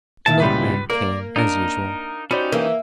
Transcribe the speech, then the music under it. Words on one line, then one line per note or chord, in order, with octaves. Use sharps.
The milkman came as usual.
D2 A#2 E4 A5
C#2 G3 B4 B5
A#3 A#4 D5
D4 D#4 A#4
C#4 D#4 F#4 G4 C5 D5 B5
E3 A#3